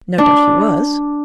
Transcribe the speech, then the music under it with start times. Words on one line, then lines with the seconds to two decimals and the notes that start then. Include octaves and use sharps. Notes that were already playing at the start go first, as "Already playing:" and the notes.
"No doubt he was."
0.18 D4